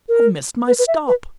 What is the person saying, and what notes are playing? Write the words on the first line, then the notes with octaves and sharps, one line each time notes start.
I've missed my stop.
A#4
B4
B4
E5
B4